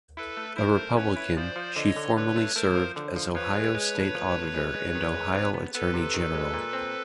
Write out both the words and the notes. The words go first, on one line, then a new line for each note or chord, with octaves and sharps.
A Republican, she formerly served as Ohio State Auditor and Ohio Attorney General.
E4 A4 B4
A3
E4 A#4 C5
A3
C#4 B4 C#5
E4
F3 C5 D5
F3
D3 C#5 D#5
D3
D3 B4 C#5
A3
A3 A#4 C5
F3
D3
F3
F3 B4 C#5
G#3
G#3
A2
F3
A2
G#3
G#3
D#3
G#3
C3
B3
B3 A4 B4
C3
D#3
G#3
A#2
C4